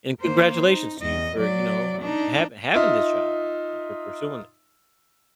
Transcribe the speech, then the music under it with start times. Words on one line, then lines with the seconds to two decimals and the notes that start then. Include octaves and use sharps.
and congratulations to you for, you know, um, hav having this job and and for pursuing this.
0.20 A#3 C5
0.70 D#4
1.02 E2 D#5
1.37 F#3 D5
2.02 D4 D#4
2.74 D#4 F4 E5